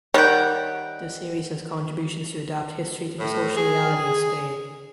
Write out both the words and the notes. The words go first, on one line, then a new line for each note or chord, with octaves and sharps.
The series has contributions to adapt history to the social reality of Spain.
D#3 G3 C#5 F#5 G5
A2
G#4